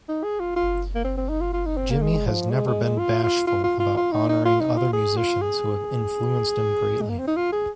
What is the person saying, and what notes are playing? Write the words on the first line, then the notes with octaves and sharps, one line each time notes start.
Jimmy has never been bashful about honoring other musicians who have influenced him greatly.
D#4
G#4
F4
F4
A#3
C4
C4
D#4
F4
F4
D#4
C4
A#3
G#3
F3
G#3
G#3
G#3
F4
F4
F4
F4
F4
F4
D#4
D#4
F4
D#4
F4
G#4
F4
G#4
G#3
A#3
C4
D#4
F4
G#4